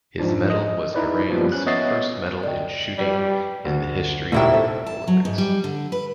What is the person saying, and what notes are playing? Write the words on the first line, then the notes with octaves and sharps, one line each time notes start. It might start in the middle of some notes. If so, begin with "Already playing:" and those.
His medal was Iran’s first medal in Shooting in the history of Olympics.
G#2 F3 D4
D#5
D#4 E4 B4 D5
F3 G3 A#3 B3 F4 B4
C#4 F#6
B3 C#5 D#5 E5 A6 C7
D5 D#5 G5
G3 B4 D5
D2
E1 A2 D#4 E4 G4 E5
A3 C4
A5
F#3
G#2
G3
D3
B4